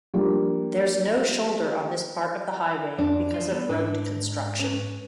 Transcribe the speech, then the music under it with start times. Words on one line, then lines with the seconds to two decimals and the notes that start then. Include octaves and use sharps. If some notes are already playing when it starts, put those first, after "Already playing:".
There's no shoulder on this part of the highway because of road construction.
0.14 F3 G3 A#3 D4
2.98 F2 D4
3.34 F3 F4
3.51 G3 B3 A4
3.69 G#2 D4 A4 B4
4.59 C#4 B4